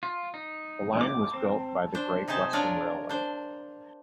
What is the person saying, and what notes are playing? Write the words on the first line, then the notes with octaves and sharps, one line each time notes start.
The line was built by the Great Western Railway.
F4
D#4
D6
C4
D4 C5
C3 D#4 G#4 C5 A5
D4 F4 A#4 C#5 D5
D4 C5